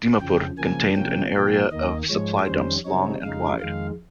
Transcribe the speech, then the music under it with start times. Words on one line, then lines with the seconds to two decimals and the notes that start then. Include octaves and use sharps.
Dimapur contained an area of supply dumps long and wide.
0.20 F2 C#3 F3 G5
0.58 C#3 F3 A#3 G#5
0.96 C3 F3 A#3 C#4 G5
1.34 A#2 F3 A#3 G5
1.71 D#2 D#3 A#3 D#5
2.09 G#2 F3 G#3 C#5
2.47 F2 D#3 G3 C#4 C5
2.85 C#3 G3 C4 D#4 C#5
3.23 F2 C#3 G#3 D#4 F5
3.60 F2 D#3 G#3 F5